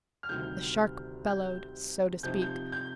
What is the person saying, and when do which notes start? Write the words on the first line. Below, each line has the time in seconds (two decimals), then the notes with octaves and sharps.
The shark bellowed, so to speak.
0.23 F6
0.29 D2 C3 D#3 G3 G6
1.27 G6
2.23 C3 F3 C4 D#4 G6
2.42 G6
2.72 G6